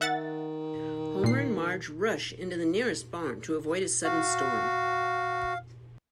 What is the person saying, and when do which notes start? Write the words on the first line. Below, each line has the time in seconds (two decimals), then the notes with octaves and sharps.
Homer and Marge rush into the nearest barn to avoid a sudden storm.
0.01 D#3 E5 F#5 A6
1.24 A#2 C7
4.04 F#4 F5